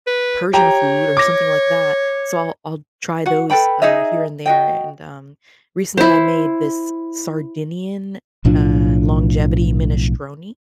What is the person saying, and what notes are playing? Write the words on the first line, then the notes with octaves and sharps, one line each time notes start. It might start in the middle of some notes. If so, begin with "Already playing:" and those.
Persian food," or something like that, so I'll I'll try those, uh, here and there. And, um, recently, I made this, Sardinian, uh, longevity minestrone,
B4
G4 C#5 G5 A#5
D6 A#6
F#4 F#5
A4 B4 G5 B5
D#4 G#4 D#5 E5
F#4 D#5 G5
E4 C5
B1 A2 F3 D4